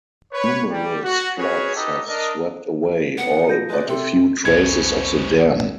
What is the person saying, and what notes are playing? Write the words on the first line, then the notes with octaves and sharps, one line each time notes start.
Numerous floods have swept away all but a few traces of the dam.
B4 C#5
G3
F#4
C#4 F#4 G#4 B4 C#5
D#4 G4 A4 B4 D#5
D4 A#4 D#5
B3 F#5
F3 F#4 G6 A#6
G#3 B4 D5
C3 A4 E5 G5 C6
B1 E2 G2 B2 C#4 C5 G#6